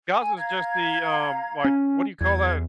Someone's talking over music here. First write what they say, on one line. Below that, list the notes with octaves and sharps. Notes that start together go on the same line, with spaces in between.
Gaza is just the, um, like, what do you call that
G#5
F5 A#5 G#6
C#4
E2 G#6